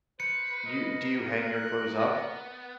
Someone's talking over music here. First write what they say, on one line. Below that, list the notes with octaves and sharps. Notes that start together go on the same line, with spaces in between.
you do you hang your clothes up?
B4 C5 C#7
A#4 D#5
F#6
B3